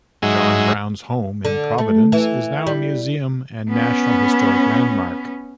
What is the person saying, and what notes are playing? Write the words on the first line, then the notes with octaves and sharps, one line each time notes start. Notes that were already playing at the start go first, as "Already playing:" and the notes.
John Brown's home in Providence is now a museum and National Historic Landmark.
G#2 F#3 G#3 D#4 E5
D3
A3
E3
G3
B3 C#4